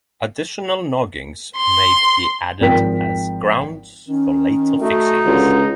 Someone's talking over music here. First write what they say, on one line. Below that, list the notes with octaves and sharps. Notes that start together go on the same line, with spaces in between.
Additional noggings may be added as grounds for later fixings.
C6
G#1 F3 A#4 G5 B6
D#3 C#4
A3 D#4 F#4
C#2 D3